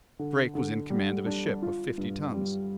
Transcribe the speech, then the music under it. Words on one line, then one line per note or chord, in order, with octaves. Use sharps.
Drake was in command of a ship of fifty tons.
D3
D3
G3
D4
F4
G2
G3